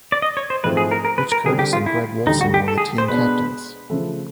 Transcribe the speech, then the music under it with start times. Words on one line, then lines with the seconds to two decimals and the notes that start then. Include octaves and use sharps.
Rich Curtis and Gregg Wolfson were the team captains.
0.12 D5
0.22 D#5
0.37 C#5
0.50 C5
0.64 G#2 F3 A3 C4 E4 B4
0.77 G#4
0.91 A#4
1.05 A#4
1.18 B4
1.32 A#4
1.45 D3 G3 C4 G#4
1.59 G4
1.73 F4
1.86 E4
2.27 D2 D3 G3 D#4
2.41 F#4
2.54 G4
2.68 A4
2.78 G#4
2.98 C5
3.08 B2 G#3 B3 D4 B4
3.90 C#3 F3 A3